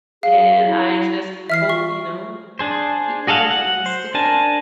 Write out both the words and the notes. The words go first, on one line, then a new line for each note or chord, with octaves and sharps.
and I just hope, you know, people keep voting and stick up.
G#4 F5
E4
F#4
E3 E5 F6 C7
F4 C#6
D4 G#4 C5
F#4 G#4 A4 F5 F#5
F#5
C5
D4 A#4 G#5 A5